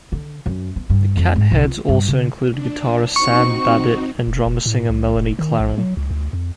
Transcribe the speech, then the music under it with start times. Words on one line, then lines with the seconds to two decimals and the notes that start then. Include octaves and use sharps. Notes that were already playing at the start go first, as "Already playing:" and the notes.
The Catheads also included guitarist Sam Babbitt and drummer-singer Melanie Clarin.
0.12 D3
0.46 F#2
0.76 B3
0.90 G2
1.17 F2
1.36 G#2
1.51 C2
1.64 F4
1.89 G2
2.08 C#3
2.52 D4
3.16 C4 D#4 F#4 C#6
4.27 E1
4.46 F1
4.66 A2
4.90 C2
5.16 F1
5.39 D#3
5.60 A#1
5.78 F#3
5.97 C#2
6.11 D2
6.33 F2